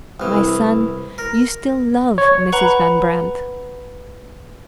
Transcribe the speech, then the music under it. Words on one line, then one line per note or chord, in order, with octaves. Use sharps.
My son, you still love Mrs. Van Brandt.
C2 E3
A#4
C#5
B4 F#5 A#5 B5